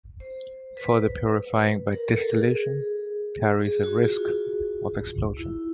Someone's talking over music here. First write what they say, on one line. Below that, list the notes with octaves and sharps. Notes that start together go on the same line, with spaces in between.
Further purifying by distillation carries a risk of explosion.
C5
B4
A#4
A4
G#4
G#4
F#4
F4
E4